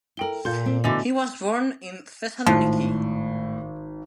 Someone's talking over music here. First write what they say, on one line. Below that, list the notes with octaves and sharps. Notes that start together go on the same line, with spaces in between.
He was born in Thessaloniki.
E4 A4 A#4 G5 G7
A#2 A4 C6 G6
C4
A2 D3 E3 B3 F#4 D#5 G#5
G#1 A2 F3